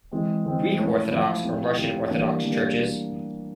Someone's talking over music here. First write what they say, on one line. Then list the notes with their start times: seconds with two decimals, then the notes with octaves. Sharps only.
Greek Orthodox or Russian Orthodox churches.
0.11 E3 G#3 C4
0.45 E3 G#3 C4
0.78 F3 A3 C#4 E4
1.11 F3 A3 C#4 E4
1.43 C3 F3 A3 C4 E4
1.77 C3 F3 A3 C4 E4
2.09 E3 G3 A#3 D4
2.42 E3 G3 A#3 D4